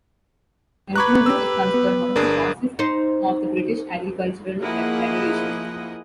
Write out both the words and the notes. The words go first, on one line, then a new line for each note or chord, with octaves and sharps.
Enclosure is considered one of the causes of the British Agricultural Revolution.
B4 A#5 B5 C#6 D6 F#6 G#6
G4 E6
B3
G1 D4 G#4 A#4
D#4 C5
F3 A#3 E4 G#4 D#5 F#5